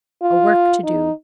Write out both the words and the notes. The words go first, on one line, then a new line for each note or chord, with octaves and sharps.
A work to do.
F4
D#4